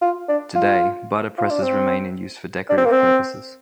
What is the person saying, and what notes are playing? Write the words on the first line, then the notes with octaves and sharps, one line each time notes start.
Today, butter presses remain in use for decorative purposes.
F4
D4
F4
F4
D4
C4
D4
C4
A#3
C4